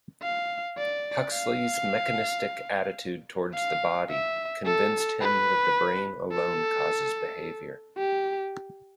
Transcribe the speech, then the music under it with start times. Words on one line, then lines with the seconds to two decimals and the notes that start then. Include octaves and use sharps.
Huxley's mechanistic attitude towards the body convinced him that the brain alone causes behavior.
0.23 F5
0.78 D5
1.32 F5
3.54 F5
4.10 E5
4.66 A4
5.21 B4
6.32 A4
7.98 G4